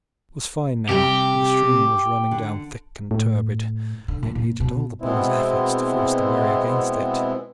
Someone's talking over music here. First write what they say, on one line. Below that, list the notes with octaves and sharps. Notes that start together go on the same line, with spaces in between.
It was fine now, but the stream was running down thick and turbid, and it needed all the boys' efforts to force the wherry against it.
C3 G3 G4
D3
A2
D3
D#3
A#2
B2
B2 G#3 B3 C4 E4